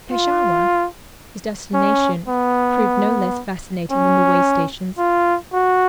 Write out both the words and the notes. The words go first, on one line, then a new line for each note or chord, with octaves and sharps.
Peshawar, his destination, proved no less fascinating than the way stations.
F4
C#4
B3
C#4
F4
F#4